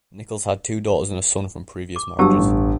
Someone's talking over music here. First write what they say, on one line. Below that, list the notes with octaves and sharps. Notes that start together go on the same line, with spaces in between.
Nichols had two daughters and a son from previous marriages.
D6
G1 F#3 G4 A5 E6
A1